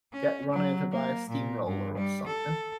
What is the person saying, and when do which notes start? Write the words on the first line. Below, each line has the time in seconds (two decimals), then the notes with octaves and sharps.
Get run over by a steam-roller or something?
0.13 C#4
0.52 F#3
0.92 A#3
1.30 A#2
1.66 G2
1.97 G3
2.26 A4